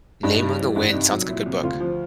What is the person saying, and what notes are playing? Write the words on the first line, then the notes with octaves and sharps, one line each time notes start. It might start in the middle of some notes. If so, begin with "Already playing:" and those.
Name of the Wind, sounds like good book.
G2 D#4
G3
E3
G2
D4
C2 D#4
F#3
A#2 E4
C2
D2 F4
F3